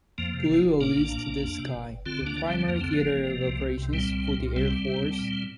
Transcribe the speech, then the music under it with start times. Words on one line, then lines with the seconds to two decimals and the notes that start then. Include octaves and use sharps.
Blue alludes to the sky, the primary theater of operations for the Air Force.
0.18 F2 F3 A#3
0.33 C3
0.49 G1
0.65 G1
0.80 A#2 A#3 D4
0.96 A#1
1.12 A#2
1.28 A#1
1.44 F2
1.58 C3
1.75 G1
1.90 G1
2.06 D3 C4 F4
2.21 D2
2.26 A#3 D4
2.37 D3
2.48 G3 C4
2.53 D2
2.68 F2 A#3
2.81 D3 C4
2.93 F3 A#3
3.00 G1
3.16 G1
3.30 C3
3.47 C2
3.62 C3
3.78 C2
3.93 A#2 G3 C4
4.09 C2
4.25 A#2
4.40 C2
4.56 C3 G3 C4
4.72 D2
4.88 C3
5.03 D2
5.19 A#2